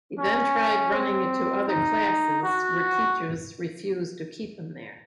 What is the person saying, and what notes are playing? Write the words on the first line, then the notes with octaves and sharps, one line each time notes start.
He then tried running into other classes were teachers refused to keep him there.
C#4
C4
D#4
F#4